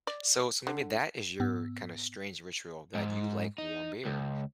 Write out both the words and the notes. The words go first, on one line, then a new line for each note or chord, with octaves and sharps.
So, it's gonna be that is your, kinda strange, ritual that you like warm beer,
D5
D3
G#2 B3 E6
G#2
D#4
C#2